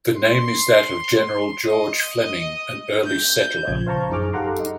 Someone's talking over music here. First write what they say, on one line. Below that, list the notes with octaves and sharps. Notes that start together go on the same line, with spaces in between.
The name is that of General George Fleming, an early settler.
C6
D#5
G6
A#1 C#3 F3 G#6
C5 F5 A5 A#5 C#6
F#2 D#4 G#4 D6 F6
G4 A4 F5 F#5 A#5 C6
D#4